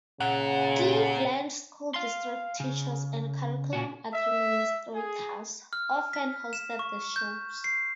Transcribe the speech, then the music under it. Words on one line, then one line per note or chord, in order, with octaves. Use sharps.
Cleveland school district teachers and curriculum administrators often hosted the shows.
A#2 C#3 F#5
F5 C6
C#3
A#2 F#4
E5
G#4
F6
B6
E7
C#6
G6
C7